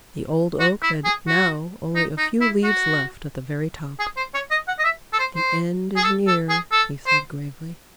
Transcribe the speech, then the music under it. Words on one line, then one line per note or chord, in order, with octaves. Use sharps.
The Old Oak had now only a few leaves left at the very top. "The end is near," he said gravely.
F#4
E4
G#4
F#4
D#4
D#4
E4
F#4
G#4
C5
C#5
D#5
F#5
D#5
E5
A4
C5
C5
G#4
A4
A4
G#4
A4
C5